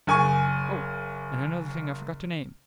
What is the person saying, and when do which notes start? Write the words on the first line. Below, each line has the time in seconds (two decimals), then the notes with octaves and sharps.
Oh! and another thing I forgot to name!
0.07 F#1 G#5 C#6